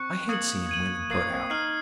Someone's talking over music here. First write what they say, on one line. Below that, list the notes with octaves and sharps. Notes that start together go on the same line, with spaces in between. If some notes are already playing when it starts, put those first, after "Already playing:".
'I hate seeing women put out.
Already playing: C4 C#6 F#6 C#7
A#3 D#6 G#6 C#7 F#7
G#6 D#7 F#7
A#3 D#6 G#6 C7 D#7 F#7
C4
D#4 F6 C7 F#7